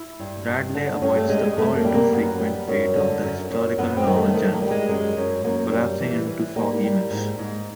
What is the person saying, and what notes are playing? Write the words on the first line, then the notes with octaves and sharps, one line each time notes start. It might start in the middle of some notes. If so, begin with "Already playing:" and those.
Bradley avoids the all-too-frequent fate of the historical-novel genre: collapsing into a soggy mess.
Already playing: E4
G2
G2
D3
G2 C#4
A3
G3 G#3
G#3
F#2 A3
A#3
G3
A#3
F#2 B3
G3
F#2
D3
F#2
F#2
F#2 B3
C4
D#3
A3
D#3 A3
A#3
G3
G#3
F#2 G#3
F#2
F#2 A#3
G3
E3
E3
G3 A#3
G3
G#2
G#2